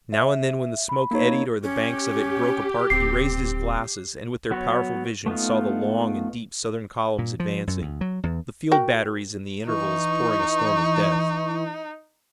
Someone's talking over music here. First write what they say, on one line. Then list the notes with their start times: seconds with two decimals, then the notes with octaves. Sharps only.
Now and then when the smoke eddied or the banks of it broke apart he raised his glasses and with their powerful vision saw the long and deep Southern columns advancing, the field batteries in the intervals pouring a storm of death.
0.13 E5
0.89 B5
1.11 A#3 D#4 C#5
1.64 C#4 G4
2.90 D1 C4 C7
4.51 F#3 B3 F#4 C#5
5.26 A3 B3 D#4 F4
7.19 A#2
7.40 F3
7.67 F#2
7.82 D2
8.01 F#3
8.23 E2
8.72 F#4 A#4 G5
9.68 E3 D#4 C#6